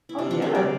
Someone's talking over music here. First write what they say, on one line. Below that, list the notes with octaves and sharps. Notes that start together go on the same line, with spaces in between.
Oh, yeah.
E4
C3 D4
D4 F4
C3 C5 E5
D5 F5